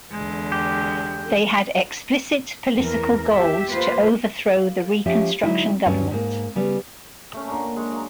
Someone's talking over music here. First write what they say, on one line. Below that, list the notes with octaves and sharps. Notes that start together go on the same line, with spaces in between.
They had explicit political goals to overthrow the Reconstruction government.
E2 D3 G#3
G4
E2 E3 A#4
G4 E5
A#3 F4 B4 C5
F5
F3 C#4 G4 E5
D3 F#3 G#3 D#4 E4
D2 G2 F#3 C#4
G#2 A#3
C#3 G3 B3
A3 C#4
A#2 D3 A#5
G#3 C#5
F#3 A#3